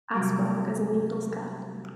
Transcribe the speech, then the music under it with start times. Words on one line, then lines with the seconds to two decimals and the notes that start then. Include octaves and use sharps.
Asphaug is an Eagle Scout.
0.14 C3 F#3 G3